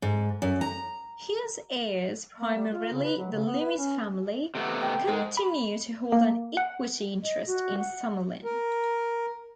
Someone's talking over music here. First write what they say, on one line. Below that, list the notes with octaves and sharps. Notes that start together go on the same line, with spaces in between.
Hughes' heirs, primarily the Lummis family, continue to hold an equity interest in Summerlin.
G#2
F#2
A#5
A#3
G3
F4
C#3
B4
F#3
C#3
B3
B4
C#4
C3 A3 B3
G5
G#2 G#3
B5
A#3
F#5
D#5
F#4
F#5
A#4